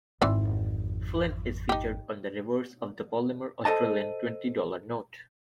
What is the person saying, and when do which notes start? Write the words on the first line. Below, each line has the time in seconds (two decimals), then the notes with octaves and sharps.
Flynn is featured on the reverse of the polymer Australian twenty-dollar note.
0.22 G#1 F2 E3 C4 D5
1.69 D#4 G4
3.65 A4 C5 D#5 A5